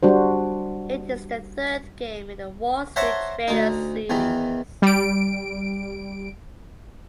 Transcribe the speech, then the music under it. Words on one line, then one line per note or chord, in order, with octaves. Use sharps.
It is the third game in the "Wall Street Trader" series.
G3 D4 F#4 C5
C5 C#5 E5 F#5 A5 A#5
D2 D#4
E2 D#3 E3
G3 D7